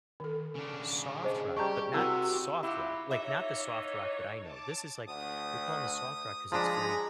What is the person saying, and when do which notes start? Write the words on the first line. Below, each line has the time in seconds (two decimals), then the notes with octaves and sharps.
soft rock, but not soft rock. Like, not the soft rock that I know. This is like they're calling this soft rock 'cause it's very,
0.20 D#3 A4
0.55 C#3 D4
1.22 G#4 C5 D#5
1.57 G3 G4 G#4 A5 A#5 C#6 G6
1.93 C3 C4 E4 F#4 A#4 E6
2.63 F#3 E4 F4 G4
3.11 E3 A#3 D#4 C#5 E5
4.39 A5 D6
5.08 D2 D#6
6.52 F3 G#3 D4 G#4 A#5 B5 D#6